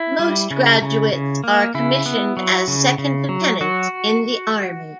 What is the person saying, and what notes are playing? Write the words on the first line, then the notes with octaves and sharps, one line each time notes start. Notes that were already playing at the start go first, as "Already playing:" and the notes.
Most graduates are commissioned as second lieutenants in the Army.
Already playing: E4
G3
C#3
C#3
C#3
A#3
C#3 E4
B3
F#3
C#3
C#3
F#3
F#3 F#4